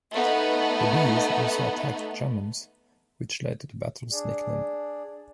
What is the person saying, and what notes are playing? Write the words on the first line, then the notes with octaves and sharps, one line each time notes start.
The bees also attacked Germans, which led to the battle’s nickname.
A3 B3 D#4
D4 G#4 D5